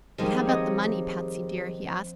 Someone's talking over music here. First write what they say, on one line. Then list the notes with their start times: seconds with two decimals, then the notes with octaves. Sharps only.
"But how about the money, Patsy dear?" he asked.
0.18 D#3 F3 G3 G#3
0.45 C4 C#5 D#5